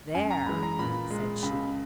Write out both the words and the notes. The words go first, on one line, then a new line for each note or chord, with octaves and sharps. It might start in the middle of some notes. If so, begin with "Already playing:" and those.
"There!" said she.
F#2 G#5
A#5
E3 G#3 B5
A#5
A#2 B5
G#3
C#2 B5